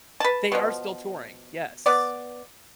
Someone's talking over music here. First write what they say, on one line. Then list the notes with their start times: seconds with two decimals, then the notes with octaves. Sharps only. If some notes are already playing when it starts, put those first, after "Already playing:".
They are still touring, yes.
0.20 B4 A5
0.52 B2 F3
1.86 B3 D5